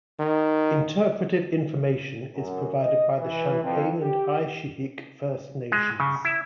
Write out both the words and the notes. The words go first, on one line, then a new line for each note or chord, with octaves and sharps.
Interpretive information is provided by the Champagne and Aishihik First Nations.
D#3
F#2
D#5
E3
F2
G4
G#3
C#3
E4